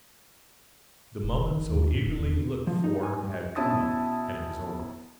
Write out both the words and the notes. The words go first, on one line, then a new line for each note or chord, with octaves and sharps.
The moment so eagerly looked for had come, and it was over.
E1
F#1
D#3
D#2
A2
E1
E2
F3
D#4
G#5
G2
B2 C#4 E4 A5 D#6